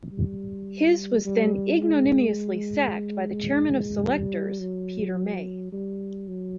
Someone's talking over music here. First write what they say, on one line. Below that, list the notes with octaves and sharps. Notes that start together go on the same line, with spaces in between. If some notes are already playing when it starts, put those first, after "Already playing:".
His was then ignominiously sacked by the chairman of selectors, Peter May.
G3
G3
G#3
G3
F#3
G3
F#3